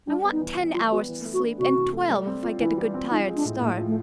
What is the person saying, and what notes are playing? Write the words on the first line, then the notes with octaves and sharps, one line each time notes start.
I want ten hours to sleep and twelve if I get a good tired start.
G3 D4
B3
D#4
E3
E3
G3 F4
B3 F#4
E3
A3
F#4
D4
C3 F#4
E3
A3
G3
C4
F4
E3 E4
G3
C4
F3 D#4
G#3
D4
A2
A2 A#3
F3
A3